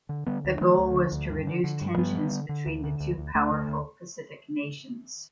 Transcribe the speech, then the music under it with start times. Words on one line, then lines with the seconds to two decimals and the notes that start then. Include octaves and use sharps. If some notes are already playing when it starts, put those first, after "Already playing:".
The goal was to reduce tensions between the two powerful Pacific nations.
0.09 D3
0.26 D3 G3 B3
0.45 D2
0.61 D3 E3 A3
0.78 D2
0.95 D3
1.12 D2
1.30 G2
1.47 D3
1.64 D3
1.81 G2
1.97 G2 G3 B3
2.15 D3
2.32 D3
2.49 D3
2.66 D2
2.84 D3
3.00 D2
3.18 D2
3.35 D2 A3 D4
3.51 D3
3.68 D2